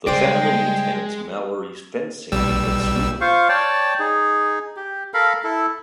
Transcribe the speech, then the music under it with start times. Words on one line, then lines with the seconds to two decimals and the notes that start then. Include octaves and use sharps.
The family attends Mallory's fencing meet at school.
0.07 C#3 G3 G#3 C5 D5 G5
2.32 B1 G3 E6
3.21 F4 C5 F5 C#6
3.49 C#5 D5 G5 A5
3.99 D#4 G#4
4.77 G4
5.14 A4 A#4 F5 B5
5.44 E4 A4